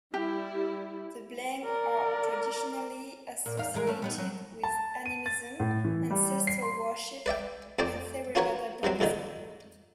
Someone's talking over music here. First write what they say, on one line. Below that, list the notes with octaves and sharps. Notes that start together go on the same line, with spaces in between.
The Blang are traditionally associated with animism, ancestor worship, and Theravada Buddhism.
G3 E4 G4
A#4 D5
A#2 A#3
E2 D#4 F5
E3 G#3 A#4
A3 C#4
G3 B3 D#4
F#3
A5
D#7
A6
A2
E3
G3
C7
C6
B4 D5 E5 G5
F2 C4 D5 G5
C#4 F4 F#4 A#4 B4 C#5
G2 E3 F#3 C4
E2 A#2 D3 D#3